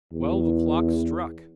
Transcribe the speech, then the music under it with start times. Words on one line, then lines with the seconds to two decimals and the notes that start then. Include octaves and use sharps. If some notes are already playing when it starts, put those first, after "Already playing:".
Twelve o'clock struck!
0.13 E2